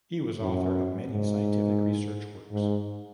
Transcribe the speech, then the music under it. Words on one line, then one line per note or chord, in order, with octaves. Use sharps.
He was author of many scientific research works.
F#2
G#2
G#2